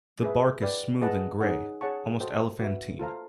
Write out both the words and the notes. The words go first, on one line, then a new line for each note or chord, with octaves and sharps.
The bark is smooth and grey, almost elephantine.
G#4 B4 E5
B4 D5 G5
G#4 B4 D#5 F#5 A5
D#4 G#4 C#5 F#5
G#4 C#5 F#5 A5 C#6
F#4 A4 C5 D#5 G5
F#4 B4 E5
F4 A4 C5 F5 A#5